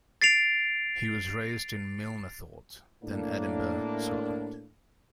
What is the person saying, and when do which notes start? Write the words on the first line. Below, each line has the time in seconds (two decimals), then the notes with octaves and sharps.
He was raised in Milnathort then Edinburgh, Scotland.
0.22 A6 C7 D7 F7
3.04 A2 A#3 D4